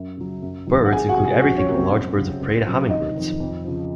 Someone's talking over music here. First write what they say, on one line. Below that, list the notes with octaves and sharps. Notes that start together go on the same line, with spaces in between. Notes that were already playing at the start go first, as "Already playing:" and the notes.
Birds include everything from large birds of prey to hummingbirds.
Already playing: F#2
C#3 F#3
F#2
D#3 F#3
F#5
C2 G#4 G#5
F#4 F#5
C3 F3 G#3
G#4 G#5
F2 F#4 F#5
C#4 C#5
C3 F#3 A#3
C4 C5
F#2
C#3 F#3
C#2
C3 F#3 C#4
F1 D#4 D#5
F2 D#3
F2
C#3 F3